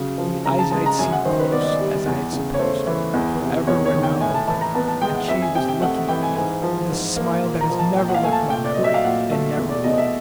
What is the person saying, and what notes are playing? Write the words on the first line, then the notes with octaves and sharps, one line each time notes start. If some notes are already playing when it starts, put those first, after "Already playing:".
The eyes I had seen close, as I had supposed, forever, were now open, and she was looking at me with a smile that has never left my memory, and never will.
Already playing: C#3 F#3
F3
C#3 A#5
A5
G#3 A5
A#5
F#2 G#5
F#5
D#3 C5
B4
B3 D5
D#5
D5
G3
E2
C#3
C#5
A3 C5
E3
E2
C3
E2 C#5
C#5
D#3
G5
A2 G#5
A5
E3 A5
A#5
B3 A5
A5
G#3 G5
F#5
F2 E5
G#5
C3 G5
G5
A3 F#5
F#5
E3 G5
G#5
G#2 G#5
F3
G#2
A#3
A#2
A#5
F3
A5
A#2 G5
F#5
F5
A3 G#5
A5
A#2 G5
D5
F#3 D#5
E5
F5
A#2 F#5
A3
E2
D5
B2 D#5
E5